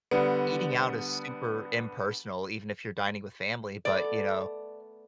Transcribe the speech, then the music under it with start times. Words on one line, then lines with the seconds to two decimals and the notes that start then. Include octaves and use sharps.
eating out is super impersonal, even if you're dining with family. But, you know,
0.11 D3 G3 B3
3.85 A3 B3 D5